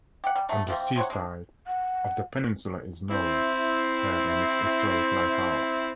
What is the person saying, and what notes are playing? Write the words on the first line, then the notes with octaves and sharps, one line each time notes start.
On the sea side of the peninsula is Norah Head and its historic lighthouse.
G4 F#5
G3
D3 F#3 A3
E3 F3 G3 C4
C3 C5 C#5 F#5
G#3 D4
F#5
C4 E4